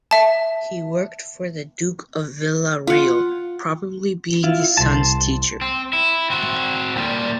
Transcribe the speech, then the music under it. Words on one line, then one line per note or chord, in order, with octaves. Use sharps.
He worked for the Duke of Vila Real, probably being his sons' teacher.
E5 A5
F4 F#5
E4 F4
C2 A5 C6
C4
E4
C4 F#4
A#2 G3